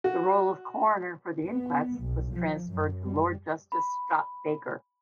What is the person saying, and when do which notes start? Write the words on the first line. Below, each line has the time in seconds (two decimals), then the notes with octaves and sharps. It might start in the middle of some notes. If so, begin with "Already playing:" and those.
The role of coroner for the inquests was transferred to Lord Justice Scott Baker.
0.04 F#4
1.45 B3
2.00 B1
2.33 F3
2.70 F#2
3.04 G3
3.72 B5